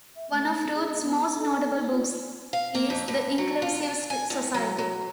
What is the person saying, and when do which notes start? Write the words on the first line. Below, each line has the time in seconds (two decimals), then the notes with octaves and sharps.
One of Ruth's most notable books is The Inclusive Society?
0.16 E5
0.32 A3
0.52 D#4
0.75 G#4
0.90 D#5
1.02 B3
1.27 D#4
1.38 A4
1.56 D5
1.76 D#4
1.91 F4
2.53 F5
2.75 A#3
2.90 F2
3.08 G2
3.38 F#3
3.62 F4
3.83 D4
4.10 G#5
4.30 A2
4.54 F#3
4.78 F#3